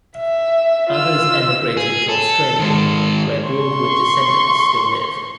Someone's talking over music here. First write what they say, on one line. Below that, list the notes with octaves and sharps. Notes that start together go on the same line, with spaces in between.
Others emigrated to Australia, where Broadwood descendants still live.
E5
F4 E6
G#4
A4
D#3 G#3
C6 C#6